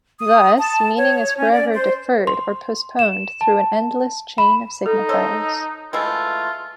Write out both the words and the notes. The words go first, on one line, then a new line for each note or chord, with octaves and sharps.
Thus, meaning is forever "deferred" or postponed through an endless chain of signifiers.
D#6
A5
C#5
C#4
D5
C5
C6
E7
A5
B5
D#4 A4
A4 C5 C#5 D#5
E3 G#3 A3 F4